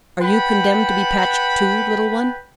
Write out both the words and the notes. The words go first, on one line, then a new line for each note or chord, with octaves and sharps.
"Are you condemned to be patched, too, little one?"
B4 F#5 G5 A5 B5